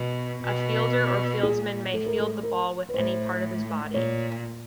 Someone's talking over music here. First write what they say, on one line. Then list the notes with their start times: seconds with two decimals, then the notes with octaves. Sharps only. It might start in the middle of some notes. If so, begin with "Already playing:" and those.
A "fielder" or "fieldsman" may field the ball with any part of his body.
Already playing: B2
0.43 B2
1.43 A#2 G#4
1.93 A2 A4
2.06 A#4
2.20 A4
2.43 A#4
2.89 B4
2.94 A2 C5
3.94 A#2 C#5